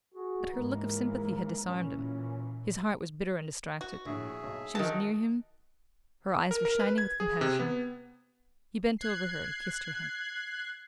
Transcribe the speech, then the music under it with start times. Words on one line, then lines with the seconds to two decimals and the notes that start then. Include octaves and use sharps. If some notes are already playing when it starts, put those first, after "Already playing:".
But her look of sympathy had disarmed him; his heart was bitter and distracted; she was near him, her eyes were shining with compassion--he bent over her and kissed her hand.
0.14 F#4 G#4
0.53 D#2 G#2 E3 G#3 A#3 A#4
1.66 A#2 E3 C#4
3.81 F#4
4.06 A#1 A2 G#4 E5
4.43 B1
4.75 D#3 F#3 A#4 A5
6.51 A#4
6.65 A#4
6.80 B4
6.98 G#6
7.20 G#4
7.41 C3
7.60 B3
8.98 F#6 G#6 C7